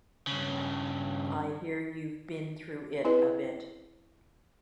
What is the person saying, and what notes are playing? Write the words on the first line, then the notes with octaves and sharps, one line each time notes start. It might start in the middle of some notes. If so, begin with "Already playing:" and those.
I hear you've been through it a bit.
G2 C#3
C4 E4 G#4 B4 D#5